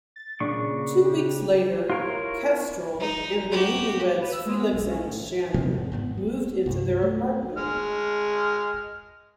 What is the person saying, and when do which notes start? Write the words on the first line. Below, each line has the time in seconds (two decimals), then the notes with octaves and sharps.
Two weeks later, Kestrel and the newlyweds Felix and Shannon moved into their apartment.
0.16 A6
0.40 A#2 C#3 D4 C#6
1.05 G4
1.90 E4 F4 A#4 C#5
3.00 D#4
3.51 F#4 G4
4.20 B4
4.32 E6
4.45 G#3
4.72 B1
4.85 C#4
5.02 A2
5.54 E1 C3 F3 C4
5.73 G#1
5.92 G#1 G#2 B3
6.17 B3
6.66 C2 G2
7.03 A3
7.58 G#3 F6